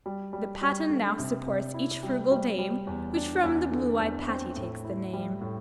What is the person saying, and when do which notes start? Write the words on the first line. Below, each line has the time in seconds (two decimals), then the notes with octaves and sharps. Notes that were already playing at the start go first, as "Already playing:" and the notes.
The patten now supports each frugal dame, Which from the blue-eyed Patty takes the name.
0.06 G3
0.33 G3
0.61 G3
0.89 D3
1.19 C3
1.46 C3
1.74 E4
2.03 G3
2.31 G3
2.58 G3
2.87 E2
3.15 D4
3.43 E2
3.72 D3
3.99 E2
4.28 C4
4.56 A2
4.85 E4
5.13 G3
5.41 A2